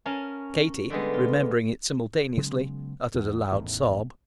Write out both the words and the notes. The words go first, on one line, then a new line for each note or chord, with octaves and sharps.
Katie, remembering it simultaneously, uttered a loud sob.
C#4 A#4 F5 G#5 A5
D3 G3 G#3 B3
F4
C#3 F#3 G#3 B3
E2
A1 E2 A2 D#3